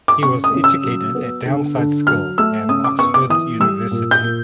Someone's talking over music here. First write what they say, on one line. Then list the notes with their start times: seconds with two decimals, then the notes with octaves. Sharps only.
He was educated at Downside School and Oxford University.
0.08 D6
0.23 C#3 C#6
0.44 D#6
0.54 C#3
0.64 E6
0.84 F#3
1.15 B3
1.46 D3
1.77 D3
2.07 F#3 F6
2.38 A3 E6
2.69 C#3 D#6
2.84 D6
2.99 B3 C#6
3.14 D6
3.30 E3 D#6
3.60 G3 E6
3.91 A#2
4.11 G6
4.22 A#2